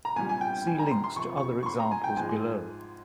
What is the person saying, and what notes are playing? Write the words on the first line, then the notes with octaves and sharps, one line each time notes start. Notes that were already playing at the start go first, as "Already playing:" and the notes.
See links to other examples below.
A#5
C2 A#2 G3 G#5
G#5
G5
G#5
A#5
C6
C6
F2 C3 F3 C#6
C#6
C#6
C6
A#5
G#5
G5
G#2 F3 G#3 G#5